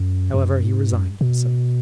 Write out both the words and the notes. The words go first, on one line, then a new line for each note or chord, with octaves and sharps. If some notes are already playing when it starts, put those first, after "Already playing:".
However, he resigned himself.
Already playing: F#2
F#2
G#2
F#2
B2